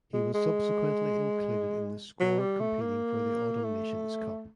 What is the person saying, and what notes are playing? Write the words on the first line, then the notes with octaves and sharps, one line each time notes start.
He was subsequently included in the squad competing for the Autumn Nations Cup.
G#3
G#3
F#3
G3
A3
A#3
A3